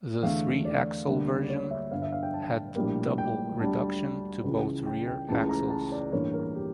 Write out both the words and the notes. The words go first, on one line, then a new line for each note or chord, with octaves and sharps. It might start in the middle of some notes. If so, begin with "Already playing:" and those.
The three axle version had double reduction to both rear axles.
E2 D3 A3 F5
D5
D2 D3 G3 A#3
D5
C#5
E5
G1 G2 D3 F5
E5
F5
G5
A5
A#1 A2 G3 A#3
G5
D2 D3 G3 A5
C#2 C#3 E3
G5
G5
C#2 C#3 E3 A3 A5
A#5
A5
D5
A1 G2 E3 A#3 C#5
A#4
G4